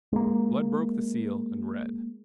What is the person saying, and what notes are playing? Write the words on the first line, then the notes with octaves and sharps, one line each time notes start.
Blood broke the seal, and read.
G#3 A#3